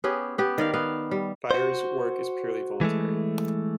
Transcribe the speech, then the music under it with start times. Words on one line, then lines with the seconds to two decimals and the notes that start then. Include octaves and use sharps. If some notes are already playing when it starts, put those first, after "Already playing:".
Firer's work is purely voluntary.
0.04 B3 C#4 G4 G#4
0.38 B3 G4
0.58 D#3 D5 F5
0.73 B3 F5
1.11 G3
1.51 F#4 C5
2.81 E3 G#3 A3